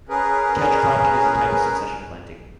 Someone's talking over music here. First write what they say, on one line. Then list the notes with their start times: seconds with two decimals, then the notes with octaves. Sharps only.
Catch cropping is a type of succession planting.
0.09 C#4 G#4 A#4 B4